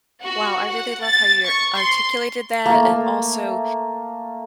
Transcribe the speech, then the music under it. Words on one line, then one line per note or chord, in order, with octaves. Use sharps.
Wow, I really love how you're articulated that and also
F#4
F#5
A6
C#6
C6
A3 A#3